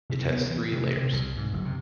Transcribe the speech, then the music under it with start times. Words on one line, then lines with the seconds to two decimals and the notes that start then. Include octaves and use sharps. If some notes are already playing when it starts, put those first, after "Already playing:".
It has three layers.
0.10 C3
0.30 B3
0.50 E3
0.72 C3
0.97 C3
1.13 C2
1.37 G#2
1.53 F#1
1.65 C3